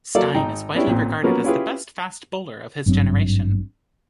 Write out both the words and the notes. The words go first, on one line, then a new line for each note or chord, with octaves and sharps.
Steyn is widely regarded as the best fast bowler of his generation.
F#3 A#3 A4 D5 F5
G#1 D#4 G5 A#5
B3 C#4 D4 E4 G4
A1 A#2 C4
F3 F#3 A#3 B3 C#4 F#4
C#4 E4 F4 G4 G#4 B4
G#1 G2 F#3 C4